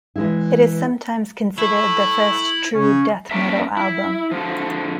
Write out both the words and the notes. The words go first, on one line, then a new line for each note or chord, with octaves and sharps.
It is sometimes considered the first true death metal album.
E3 G#3 E4
A3 E4
C#3 C#4
A#3 C#4 D4 A#4 E5
E4
D3 F3